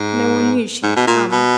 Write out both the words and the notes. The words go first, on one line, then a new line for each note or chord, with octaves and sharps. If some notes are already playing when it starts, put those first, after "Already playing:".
No one knew she had come.
Already playing: G#2
G#2
B2
A#2
B2